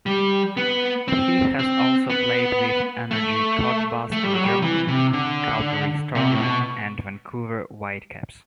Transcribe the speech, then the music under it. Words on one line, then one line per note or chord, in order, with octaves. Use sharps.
He has also played with Energie Cottbus in Germany, Calgary Storm, and Vancouver Whitecaps.
G3
B3
C4
C4
B3
A3
A3
G3
F#3
G3
E3
C3
D3
C3
A2
B2